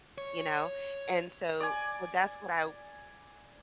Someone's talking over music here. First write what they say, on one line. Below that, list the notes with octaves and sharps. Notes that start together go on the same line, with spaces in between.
You know? And so, so that's what I
C#5
D5 G#5